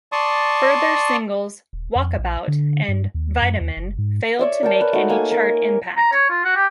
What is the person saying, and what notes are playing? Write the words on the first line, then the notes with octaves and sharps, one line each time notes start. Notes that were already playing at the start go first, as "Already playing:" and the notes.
Further singles "Walkabout" and "Vitamin" failed to make any chart impact.
D5 A5 C6 C#6 D#6
D#1
F2
A#1
D3
G2
D#2
F#2
D#2
F#1
G#2
C#5 D5 E5
A#4 G5 A5
B4
A3 D#4 F#4
A#3 A4 F5 G#5
A#4
A#5
C#5
F4
F#4
G4